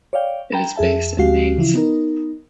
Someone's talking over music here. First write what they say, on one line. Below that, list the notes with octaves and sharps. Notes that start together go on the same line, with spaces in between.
It is based in Mainz.
C#5 D5 F5 G5
G5 A#5 B5
F2 G#4 E5 A5
D2 G#3 F#4 G4 F5 C7
C#3 E3 F3 E4
B3 D#4 A#4